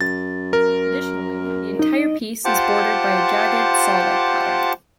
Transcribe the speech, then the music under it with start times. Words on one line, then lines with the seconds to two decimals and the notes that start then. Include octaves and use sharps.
Additionally, the entire piece is bordered by a jagged saw-like pattern.
0.01 F#2 A6
0.53 A#4
1.79 D#4 D#5
2.45 F4 G4 C5 F#5 A5 D6